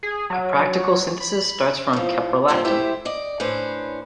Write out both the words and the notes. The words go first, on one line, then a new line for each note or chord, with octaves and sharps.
A practical synthesis starts from caprolactam.
G#4
F#3
B5
A2 F3
G2 A#2 D#3 C4 C#4
G#3 A3 E4 G4 C5 E5
D5 D#5
A2 C#4 D4 B4 C5